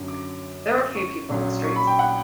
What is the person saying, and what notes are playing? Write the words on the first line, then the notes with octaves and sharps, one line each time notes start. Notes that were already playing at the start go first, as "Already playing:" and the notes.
There were few people in the streets.
Already playing: F#2 D3 F#3
D6
C#6
A#1 A#2 F#3 C#4
C#6
B5
G5
F#5